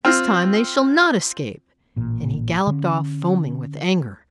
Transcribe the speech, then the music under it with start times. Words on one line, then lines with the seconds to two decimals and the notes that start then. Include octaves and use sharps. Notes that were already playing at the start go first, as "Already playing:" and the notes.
This time they shall not escape.' And he galloped off, foaming with anger.
0.05 C4 F4
1.96 A1 A#2
2.67 D3 C#4